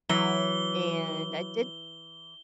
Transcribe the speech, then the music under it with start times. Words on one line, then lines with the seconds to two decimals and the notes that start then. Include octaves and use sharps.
And I did
0.09 E3 F#3 G7